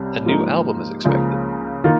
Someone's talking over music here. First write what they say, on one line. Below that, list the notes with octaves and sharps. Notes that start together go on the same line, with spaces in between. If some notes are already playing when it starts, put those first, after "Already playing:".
A new album is expected.
Already playing: C2 C3 G3 C#4
G#2 F3 A#3 D#4
C#2 C#3 F3 A#3
D#3 A#3 F4